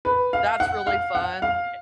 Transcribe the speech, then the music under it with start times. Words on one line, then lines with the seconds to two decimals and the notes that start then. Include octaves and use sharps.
that's really fun, eh
0.05 B4
0.33 F5
0.60 F#5
0.87 F5
1.15 F#5
1.42 F5